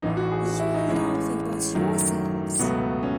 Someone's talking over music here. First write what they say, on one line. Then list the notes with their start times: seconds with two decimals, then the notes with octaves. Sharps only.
You are laughing about yourselves!
0.02 A1 A2 E3 D#4
0.17 F#4
0.31 G#4
0.45 F#4
0.59 E4
0.74 D#4
0.88 A1 A2 G#3 C#4
1.74 F#2 D#3 F#3 A3
2.59 C#2 B2 F#3 A3 B3
3.03 C#4